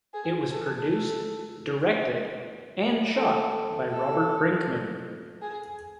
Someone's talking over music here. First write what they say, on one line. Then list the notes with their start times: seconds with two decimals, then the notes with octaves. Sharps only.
It was produced, directed and shot by Robert Brinkmann.
0.14 G#4
0.51 A4
0.89 A4
3.15 A4
3.91 A4
5.42 G#4